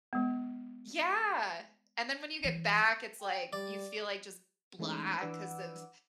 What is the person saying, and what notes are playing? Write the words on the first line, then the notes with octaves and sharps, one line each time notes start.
Yeah. And then when you get back, it's, like, you feel, like, just blah 'cause of
G#3 B3
E3
G5
G3 D5
E3 G#3 A3 C#4 D#4
E3 D4 B4 F#5 D6 E6